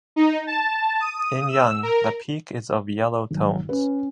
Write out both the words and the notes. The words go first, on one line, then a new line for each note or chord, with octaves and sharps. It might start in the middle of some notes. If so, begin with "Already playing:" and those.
In young, the peak is of yellow tones.
D#4
A5
D#6
E6
A#4
G#1 F#3
C#4 B4